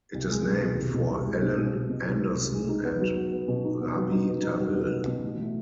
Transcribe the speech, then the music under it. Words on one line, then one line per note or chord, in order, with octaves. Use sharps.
It is named for Ellen Andersen and Rabi Tawil.
C2
G#3
B2
B2
C2
B2
C2
G#3
B2
B2
B2
B2
C2
C2
C2
G#3
D#4
B3
F#3
B3
B3
B2
D#4
B3
F#3
D#4
B3
D#4
F#3
B3
B2
B2
A1
A3